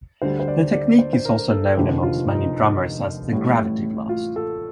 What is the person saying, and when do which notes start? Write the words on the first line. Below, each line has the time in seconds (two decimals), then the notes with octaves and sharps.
The technique is also known amongst many drummers as the gravity blast.
0.22 D2 D3 G3 C5
0.40 C5
0.48 D5
0.73 D5
0.99 C5
1.13 C5
1.25 A#4
1.50 A4
1.76 F1 D#2 D3 F3 G4
2.03 F4
2.28 D#4
3.32 A1 A2 G3
4.09 F4
4.36 A4